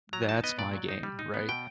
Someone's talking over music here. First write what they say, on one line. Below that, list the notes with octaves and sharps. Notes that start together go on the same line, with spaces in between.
that's my game, right?
F#3 A#5
D#4 A5
B3 D#5
A#2 D5
F#3
D#4
G3
D#4
B3
B2 G5